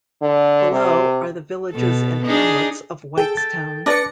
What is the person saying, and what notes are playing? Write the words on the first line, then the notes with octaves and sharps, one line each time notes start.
Below are the villages and hamlets of Whitestown.
D3
C3
B2 A4
D4 D#4 G#4
G#4 A4 G5
A6
D4 B4 D5 A#6 C#7